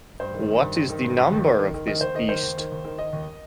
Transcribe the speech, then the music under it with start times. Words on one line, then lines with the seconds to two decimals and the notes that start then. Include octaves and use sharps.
What is the number of this beast?
0.20 G2 C5
0.34 D#3
0.49 D#3
0.62 G2
0.76 G2
0.90 D#3
1.04 G2
1.18 G2
1.32 D#2
1.46 D#3
1.59 D#3
1.74 D#3
1.87 D#3 D#5
2.01 D#2 C5
2.15 D#3 D#5
2.29 D#3 C5
2.43 D#2
2.58 D#3
2.72 D#2
2.85 D#3
2.99 D#3 D#5
3.13 D#2